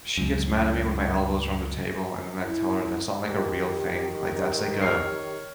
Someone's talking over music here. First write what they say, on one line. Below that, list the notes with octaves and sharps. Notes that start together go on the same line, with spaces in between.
She gets mad at me when my elbows are on the table, and then I tell her that's not, like, a real thing, like, that's, like, a
C#2 F#2
E4
D#3 G4
C#5 F6 C7